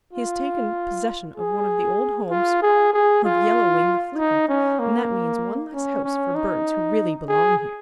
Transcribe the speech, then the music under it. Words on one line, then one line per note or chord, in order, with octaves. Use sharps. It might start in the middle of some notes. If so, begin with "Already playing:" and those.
He has taken possession of one of the old homes of Yellow Wing the Flicker, and that means one less house for birds who really belong here.
F4
G#4
F4
G#4
G#4
F4
D#4
C#4
A#3
C#4
C#4
D#4
G#4